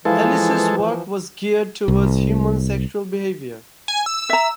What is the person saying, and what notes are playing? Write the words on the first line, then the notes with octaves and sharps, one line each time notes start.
Ellis's work was geared towards human sexual behavior.
E3 F3 G#3 E4 A4 B4 F5
C2
G#5
E6
E5 A#5